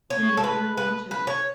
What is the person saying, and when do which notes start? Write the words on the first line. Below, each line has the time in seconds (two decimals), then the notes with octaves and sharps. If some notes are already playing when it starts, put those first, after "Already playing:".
They never watch it.
0.10 C#5
0.37 A4
0.44 B4
0.77 B4
1.11 B4
1.27 C#5